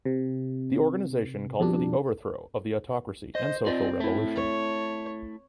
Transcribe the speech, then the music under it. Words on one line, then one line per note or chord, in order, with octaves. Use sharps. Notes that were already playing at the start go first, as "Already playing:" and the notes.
The organization called for the overthrow of the autocracy and social revolution.
C3
F2 B2 G3 D4
C5 D#5
C4 F4 D5 D#5
A3 E4
C#5